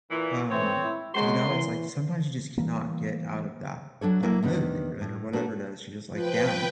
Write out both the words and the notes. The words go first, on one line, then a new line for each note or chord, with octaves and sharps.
um, you know, it's, like, sometimes you just cannot get out of that that mood that you're in, or whatever it is, you're just, like, down,
A#2 E3
E3 A3 C4 C#5
E4
F#2 G#3 F#4 C6
E3
E3 F3 G3 A#3
F#3 D4 A4 C#5
F#3 A#3 E4
E2 D#3 B3 D4
A2
A#2 A3 B3 D4 F#4
F3 B4 G5